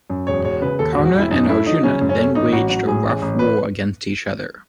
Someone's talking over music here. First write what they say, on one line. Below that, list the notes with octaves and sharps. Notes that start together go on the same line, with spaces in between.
Karna and Arjuna then waged a rough war against each other.
F#2
E1 C#5
E1 C#5
C#3 B4
D#2 A4
F#4
E1
F#4
E1 E4
F#2 D#4
A3 E4
F#3 D#4
C#3 C#4
F#2
C#4
A3
A1 D#4
A1 F#4
F#3 F#4
A2 G#4
A1
A1
B4